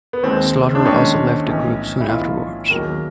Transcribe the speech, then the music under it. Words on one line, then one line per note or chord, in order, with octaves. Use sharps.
Slaughter also left the group soon afterwards.
B3
D#2 D#3 G#3 C4
D4
D#2 D#3 G#3 C#4
B1 A2 E3
E4
B1 A2 E3 F4
E1 D#2 D#3 F#3 A#3 A#4